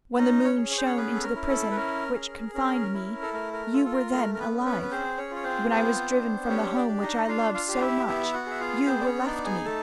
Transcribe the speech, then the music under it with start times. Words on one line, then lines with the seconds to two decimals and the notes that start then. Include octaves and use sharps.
When the moon shone into the prison which confined me you were then alive; when I was driven from the home which I loved so much you were left me.
0.18 C#4 D#4 D#5
0.44 C#4 C#5
0.57 G#4
0.71 C#5
0.78 C5
0.85 C#4 C#5
0.96 B3 C#4 B4
1.15 A4
1.23 A#4
1.36 E4
1.49 A4
1.71 B4
1.76 C#4 A#4
2.15 G#4
2.54 C#4 A#4
2.94 E4
3.22 A4
3.33 A3 A#4
3.53 A#4
3.73 F4 A4
3.85 A4
3.92 A#4
4.12 A3 A#4
4.35 A#4
4.39 B3 B4
4.52 C#4
4.65 B3 B4
4.82 B4
4.91 C4 G#4 C5
5.17 C#4 C#5
5.31 F4 C#5
5.43 C4 C5
5.70 B3 C4 C5
6.10 D4
6.49 C#4 G4 C#5
6.76 D4 D5
6.89 D4
7.02 D#4 D#5
7.28 D4 F4 F5
7.54 F4 F5
7.68 G4 F5
7.81 E4 E5
8.07 B3 E4 E5
8.33 F#4 F#5
8.46 G#4 E5
8.60 F4 F5
8.86 B3 C4 C5
9.01 D5
9.05 C#4 C#5
9.25 D4 D#4 D5
9.45 G#4 G#5
9.65 A3 A4 A5